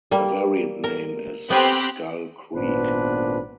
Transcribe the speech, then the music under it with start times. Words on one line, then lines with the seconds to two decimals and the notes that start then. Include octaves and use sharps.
A variant name is "Scull Creek".
0.11 G3 A#3
0.84 A#4
1.50 B3 C4 G4 G5 G#5 F#6
2.55 G#1 A#2 B3 D4 B4 C5